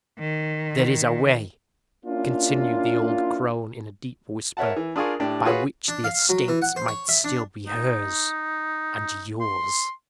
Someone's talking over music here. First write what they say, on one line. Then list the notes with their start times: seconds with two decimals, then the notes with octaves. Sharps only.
"There is a way," continued the old crone, in a deep whisper, "by which the estates might still be hers and yours."
0.19 D#3
2.05 A#3 C#4 D4 E4 F4
4.57 A#4 C#5 E5 F#5 A5
4.76 E3
4.96 D4 F4 G#4 A#4 G#5 C#6
5.20 A2 D4 G4
5.45 F4 F#4 G#4 B4 C#5
5.88 D4
6.04 F5
6.29 F#3
6.48 E3
6.62 F#5
6.76 C5
6.88 C#5
7.09 E5
7.24 D4
7.67 D#4
9.41 C6